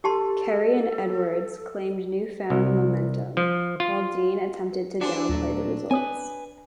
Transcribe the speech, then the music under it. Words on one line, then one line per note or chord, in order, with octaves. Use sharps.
Kerry and Edwards claimed newfound momentum, while Dean attempted to down-play the results.
G4 A4 A5 C6
C2
F3
F4
D4 F#4 G#4 C5
D#2 A#2 F#3 A3
C4 B4 C#5 G#5 D#6